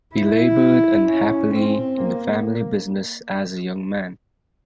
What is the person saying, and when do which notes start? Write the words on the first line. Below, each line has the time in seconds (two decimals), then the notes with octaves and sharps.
He labored unhappily in the family business as a young man.
0.15 E4
1.07 C#4
1.54 C4
2.02 A#3